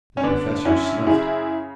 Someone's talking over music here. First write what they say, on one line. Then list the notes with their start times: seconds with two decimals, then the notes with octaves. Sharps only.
The Professor snuffed.
0.17 C#4
0.23 D3 B3 D4
0.65 F#2 C#4 E4
1.07 C#3 E4 G#4